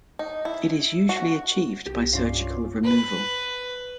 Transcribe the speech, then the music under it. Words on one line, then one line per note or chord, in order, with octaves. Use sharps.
It is usually achieved by surgical removal.
D#4
E4
F#4
C2 G4
G2 C#4 F4 D5 F5
B4